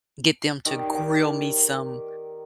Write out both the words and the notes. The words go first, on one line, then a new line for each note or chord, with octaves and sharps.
get them to grill me some,
D#3 G4 D5